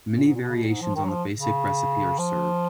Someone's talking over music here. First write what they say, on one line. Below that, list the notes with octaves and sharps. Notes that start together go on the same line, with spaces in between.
Many variations on the basic recipe are served.
A#2
G#2
A#2
B2
C#3
B2
A#2
G#2
F3
D#3
F#3
F3
C#3
F3